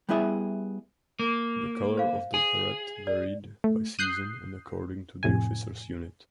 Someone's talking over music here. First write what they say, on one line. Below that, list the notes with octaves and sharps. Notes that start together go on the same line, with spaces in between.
The color of the beret varied by season and according to the officer's unit.
G3 B3 E4 G#4 E5
A#3
C5 F5
G#4 G#5
D5
A3
D#6 F#6 G6 C7
F2 A2 C3 G#5